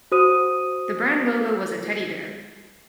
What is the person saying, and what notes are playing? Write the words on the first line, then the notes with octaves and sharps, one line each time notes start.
The brand logo was a teddy bear.
F#4 C5 D#6 D#7